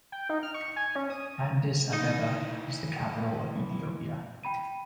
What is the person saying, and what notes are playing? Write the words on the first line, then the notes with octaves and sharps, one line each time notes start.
Addis Abeba is the capital of Ethiopia.
G5
D#4
F6
C#6
G#5
C#4
D#6
E3 D#4 D#5
G5 B5 D#7